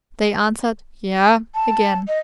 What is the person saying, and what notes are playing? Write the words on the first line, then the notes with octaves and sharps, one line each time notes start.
They answered "yea" again.
A5
D#5